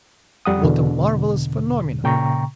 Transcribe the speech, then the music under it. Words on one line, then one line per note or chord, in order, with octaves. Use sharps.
What a marvellous phenomenon!
F2 G3 F#5 D#6
E2 B2 D3
A#2 C#3 G5 A#5 C#6